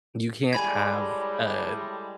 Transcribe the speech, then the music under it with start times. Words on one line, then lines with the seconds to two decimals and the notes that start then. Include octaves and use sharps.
You can't have a
0.53 A2 G3 G#3 G#5 B5 G#6